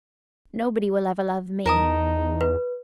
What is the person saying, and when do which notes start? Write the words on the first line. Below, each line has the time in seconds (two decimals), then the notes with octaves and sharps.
Nobody will ever love me.
1.66 E2 D#4 A#4 A5 D#6
2.41 B4